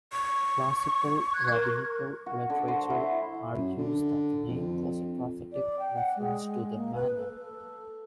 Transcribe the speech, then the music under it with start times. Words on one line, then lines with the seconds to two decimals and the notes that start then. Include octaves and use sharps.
Classical rabbinical literature argues that the name was a prophetic reference to the manna.
0.13 C#6
1.33 F#6 G#6
1.50 A#4
2.26 F#4
2.50 D3
2.68 C5
2.90 E4
3.57 F#2
3.78 D3
4.49 F2
5.52 D5
5.79 G5
5.95 F#5
6.16 G#3
6.75 A#3
6.95 B4
7.17 A4